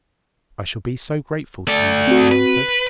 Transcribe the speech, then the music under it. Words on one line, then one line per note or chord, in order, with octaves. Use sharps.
I shall be so grateful to you, Mr. Mumford.
A3 D5
C4 F#4
B4